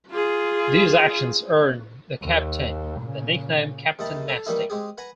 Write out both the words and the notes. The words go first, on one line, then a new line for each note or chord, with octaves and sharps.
These actions earned the captain the nickname "Captain Nasty".
F4 G#4
D#2
A#2 C#3
D#2 C3 D#4 G5 A5 B5
A4
D#3 E3 G3 A#3 D#4 E4
G#3 C4 G4 G#4
B4 F#5 G#5 A#5